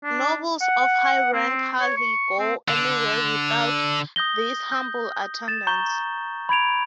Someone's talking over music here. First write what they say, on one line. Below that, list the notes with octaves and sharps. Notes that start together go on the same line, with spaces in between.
Nobles of high rank hardly go anywhere without these humble attendants.
D4
F#5
C4
C#5
C#6
C4
D3
D#6 G6 A#6 G7
G6
A6 E7
A#5 C#6 G6 G7
B5 G#6 D7 F7